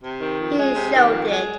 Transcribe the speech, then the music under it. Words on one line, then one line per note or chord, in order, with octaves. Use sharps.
He showed it.
C3
D#3
F2
G#3
C3
D#3
F2
G#3